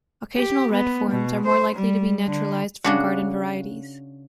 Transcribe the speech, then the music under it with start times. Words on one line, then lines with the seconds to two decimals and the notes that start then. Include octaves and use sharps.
Occasional red forms are more likely to be naturalised from garden varieties.
0.37 G4
0.72 B3
1.11 B2
1.46 C5
1.75 G3
2.27 D3
2.84 C#3 D4 F#4